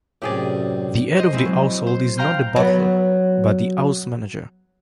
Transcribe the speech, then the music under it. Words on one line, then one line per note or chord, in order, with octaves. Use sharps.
The head of the household is not the butler, but the house manager.
F#2 A2 C3 G4 G#4 D5
C5 D#5
G#3 C4 E4
F#3
C5
F5 G5 A#5 C6 F6 G6
F#3 B3